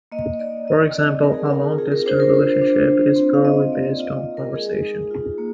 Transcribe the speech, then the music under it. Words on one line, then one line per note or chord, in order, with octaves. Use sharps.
For example, a long-distance relationship is purely based on conversation.
A#3 D#5
D#4 D5
D#4 D#5
C4 D5
D#5
D5
D#4 A#4
G#4
C4 A#4
F4 G#4
A#4
D4 C5
A#4
F4 C5
D4
F4
C4
F5
D#4 D#5
A#3 D5
F4 D#5
A#3
A#4
G#3 G#4
D#4
F4
A#3